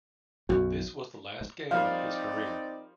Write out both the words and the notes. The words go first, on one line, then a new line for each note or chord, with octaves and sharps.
This was the last game of his career.
B1 F#2 F#4
F3 G3 A#3 C4 D#4 D5 F5